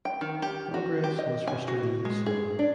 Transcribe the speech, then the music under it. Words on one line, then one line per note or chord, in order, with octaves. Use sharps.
Progress was frustratingly slow.
G5
D#3
G4
F#4
G4
D#5
G#5
F#4
G#3
G#4
D4